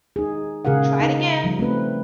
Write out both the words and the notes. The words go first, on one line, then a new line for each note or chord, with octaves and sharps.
Try it again.
D#4 G#4
A#2 C#3 G#4 A#4 F5 F#5
D#4
F3 G3
A3 C4 B4